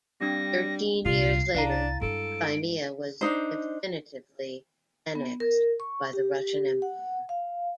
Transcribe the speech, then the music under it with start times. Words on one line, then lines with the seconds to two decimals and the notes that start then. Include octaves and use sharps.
Thirteen years later, Crimea was definitively annexed by the Russian Empire.
0.21 G3 C4 D4 A#6
1.05 C2 A#2 F4 C7
1.55 C2 D4 E4 F5 A#5
1.70 A6
2.01 G2 G#3 A4 D7
3.21 D4 D#4 C5
5.15 B3
5.40 A#4
5.80 C#6
6.13 G4
6.82 F#5
7.29 F5